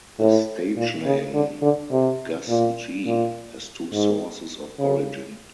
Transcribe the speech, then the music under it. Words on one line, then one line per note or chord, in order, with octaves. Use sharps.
The stage name "Gus G." has two sources of origin.
A2
A#2
C#3
D3
D3
C3
A#2
A#2
G#2
C#3